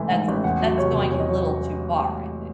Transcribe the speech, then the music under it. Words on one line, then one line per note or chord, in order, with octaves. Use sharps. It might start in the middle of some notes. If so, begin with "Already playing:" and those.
that's that's going a little too far, I think.
Already playing: A1 G#2 E3 A3
G#2
A1
E2 F#5
F#3
C3 C#5
E2
E2 C#5
D#5
F#3 C#5